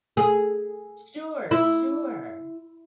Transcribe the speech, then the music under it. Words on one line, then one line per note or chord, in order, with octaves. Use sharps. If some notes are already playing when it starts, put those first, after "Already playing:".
Sure, sure,
G#4
E4